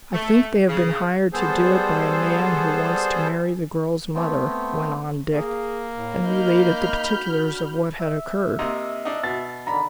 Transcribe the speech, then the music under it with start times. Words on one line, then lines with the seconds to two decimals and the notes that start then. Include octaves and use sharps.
"I think they have been hired to do it by a man who wants to marry the girl's mother," went on Dick, and related the particulars of what had occurred.
0.13 A3
0.67 C#3
1.33 G3 B3 G#4 A4 C5
4.15 A3 B3 C4
5.33 A#3 G#4
5.93 A2
6.24 D#4 D#5 B5 F6 G6
7.09 D4 F#4
8.00 E5
8.59 C3 A#3 D#4
9.05 D4 D#4
9.24 B2 A6
9.67 D3 D#3 D4 A#5 B5